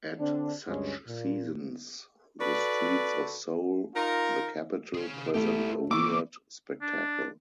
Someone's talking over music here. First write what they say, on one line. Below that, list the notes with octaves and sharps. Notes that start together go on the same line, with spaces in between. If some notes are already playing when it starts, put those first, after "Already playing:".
At such seasons, the streets of Seoul, the capital, present a weird spectacle.
D3 C4 D4
D2 G2 G#3 C#4
A#2
F#4 A4 B4 D5
D#4 F4 A#4
G#4 F5
A3 E4 G4
E3 A#3 C#6 D6 E6
D4